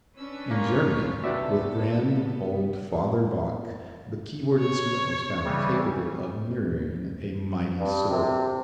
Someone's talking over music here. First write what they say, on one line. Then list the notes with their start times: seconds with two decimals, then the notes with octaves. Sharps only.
In Germany, with grand old Father Bach, the keyboard instrument was found capable of mirroring a mighty soul.
0.18 C#4 D4 B4 E6
0.51 A#3 F4 C#5
1.24 C3 A3 B3 F#4 A4 B4 D5 E5
4.59 C#5
5.45 C#3 E3 G3
7.79 G2
8.08 C3